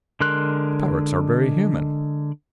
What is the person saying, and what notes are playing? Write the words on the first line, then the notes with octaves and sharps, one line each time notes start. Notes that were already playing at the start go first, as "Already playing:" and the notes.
Parrots are very human.
D3 G#3 A#4 C6 F#6